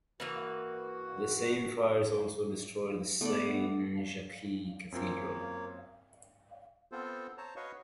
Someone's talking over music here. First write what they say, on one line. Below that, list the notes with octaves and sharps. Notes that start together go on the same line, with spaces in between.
The same fires also destroyed the Saint-Jacques Cathedral.
E3 A#3 F#4 B4
A3 B3 D5
F#2 A#3 C4 F4 C#5
B3 C4 F4 A4 C5
C5 C#5 A5 A#5
F#4 B4 C#5 D#5 F5 C#6